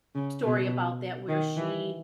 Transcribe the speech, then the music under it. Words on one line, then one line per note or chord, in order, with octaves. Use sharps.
story about that where she
C#3
B2
D#3
E3